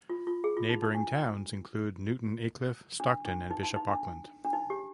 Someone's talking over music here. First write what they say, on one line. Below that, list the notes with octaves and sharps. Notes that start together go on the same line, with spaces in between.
Neighbouring towns include Newton Aycliffe, Stockton and Bishop Auckland.
F4
F4
G#4
F4
D#4
D#4
D4
D4
D4
D#4
D#4
D#4
D4
D4
D#4
G4